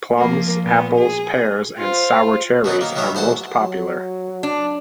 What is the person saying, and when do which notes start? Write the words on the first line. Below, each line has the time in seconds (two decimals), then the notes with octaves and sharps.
Plums, apples, pears, and sour-cherries are most popular.
0.18 F3 A#3
0.64 A#2 B3
0.98 G#4
1.78 F4 C5
2.64 B2 F#3 B3 D#4
2.81 D#3 A#3
2.96 D#3 F#3 B3 C#5 E5
3.15 A1 C5 F#5 A5
3.56 F#3
4.43 D4